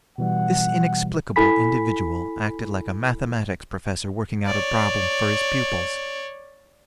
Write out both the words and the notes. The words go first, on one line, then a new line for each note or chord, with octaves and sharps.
This inexplicable individual acted like a mathematics professor working out a problem for his pupils.
B2 E3 G3 F#5
E4 A4 G#5 B5 B6
C#5 D5